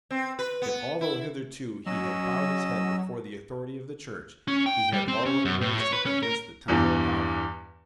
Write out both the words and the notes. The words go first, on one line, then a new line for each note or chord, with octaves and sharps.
Yet, although hitherto he had bowed his head before the authority of the Church, he had already raised it against the temporal power.
C4
B4
B3
E4
F#3 C#4 D#5 E6
C#4
G5
G3
C4
C#4
F#2
A2
C#5
B4
C#4
A#4
E2 G2 E3